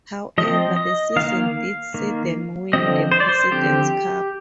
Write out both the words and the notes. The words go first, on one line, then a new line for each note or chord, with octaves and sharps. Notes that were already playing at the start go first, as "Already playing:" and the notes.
However, the season did see them win the President's Cup.
F3 C4 D#5
D#5
D#3 A#3 F5
D#3 A#3
D3 F3 C4 D#5
C5
D5
C5
D3 F3 C4 G4